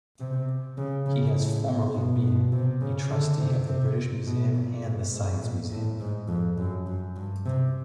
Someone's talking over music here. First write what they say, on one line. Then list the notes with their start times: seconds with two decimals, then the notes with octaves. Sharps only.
He has formerly been a Trustee of the British Museum and the Science Museum.
0.20 C3
0.78 C#3
1.06 C#3
1.35 A2
1.95 B2
2.23 B2
2.53 C3
2.81 C#3
3.10 D3
3.39 C3
3.68 C3
4.27 B2
4.55 A#2
4.84 G#2
5.13 G#2
5.42 A#2
5.72 A2
6.00 G#2
6.29 F2
6.58 F#2
6.87 F#2
7.17 G2
7.46 C3